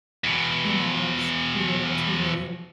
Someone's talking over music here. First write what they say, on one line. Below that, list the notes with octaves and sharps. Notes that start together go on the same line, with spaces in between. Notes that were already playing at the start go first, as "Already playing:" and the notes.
You know, what's too little too late,
E2 B2